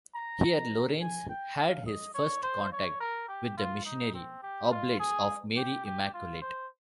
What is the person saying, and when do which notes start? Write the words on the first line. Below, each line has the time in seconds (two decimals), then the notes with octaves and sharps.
Here Lorenz had his first contact with the Missionary Oblates of Mary Immaculate.
0.15 A#5
1.01 G#5
1.29 G5
1.58 F5
1.86 D#5
2.14 C#5
2.43 C5
2.72 C#5
3.00 A#4
3.28 G4
3.57 F4
3.85 D#4
4.14 C4
4.43 G4
4.71 F4
4.99 G#4
5.56 G4
5.85 G4
6.14 F4
6.42 C5